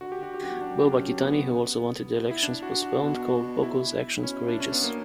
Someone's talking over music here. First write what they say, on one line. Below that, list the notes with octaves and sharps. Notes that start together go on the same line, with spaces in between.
Bob-Akitani, who also wanted the elections postponed, called Boko's action "courageous".
D3 F#4
G4
D3 F#4
G4
F#2 F#4
E2
F#2 D4
C#4
B3
E4
D4
F#4
F#4
B2
E4
B2 C#4
D4
C#4
B3
A#3